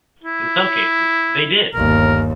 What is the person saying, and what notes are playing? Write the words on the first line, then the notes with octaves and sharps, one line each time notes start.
In some cases, they did!
E4
G1 D#2 A#4